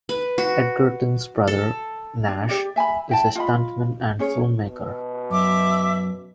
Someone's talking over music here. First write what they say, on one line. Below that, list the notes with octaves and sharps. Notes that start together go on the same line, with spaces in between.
Edgerton's brother, Nash, is a stuntman and filmmaker.
B4
F#4
A4
D4
G4 D5
E5 G#5 A5 B5
E4 G5 A5
F4 D#5 B5
C#4 G#4 C#5
B2
F#2 E5 D6